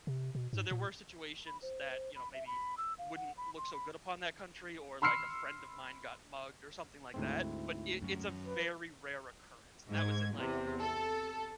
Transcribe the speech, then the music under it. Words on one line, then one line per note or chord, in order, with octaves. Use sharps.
so there were situations that, you know, maybe wouldn't look so good upon that country, or. like, a friend of mine got mugged or something like that, but it it's a very rare occurrence, and that was in, like,
C3
B2
G#2
A#2
B5
C5
C5
B5
E5
B5
E6
F5
F#5
B5
C6
B5
B5 C6 E6 F6 C7 C#7
D2 G#2 C4 E4
F#2
B4
G#2 G#6
E2 C3
A4